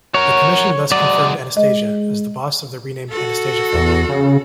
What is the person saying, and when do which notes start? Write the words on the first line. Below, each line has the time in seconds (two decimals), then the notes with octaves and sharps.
The Commission thus confirmed Anastasia as the boss of the renamed Anastasia family.
0.14 F#4 A#4 C#5
0.92 F#3 G#3 D5
1.57 G#3 D#5
3.10 F#4 A4
3.74 E2
4.09 C#3